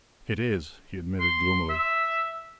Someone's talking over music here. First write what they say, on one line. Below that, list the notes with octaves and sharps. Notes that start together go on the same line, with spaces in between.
"It is," he admitted gloomily.
C6
E5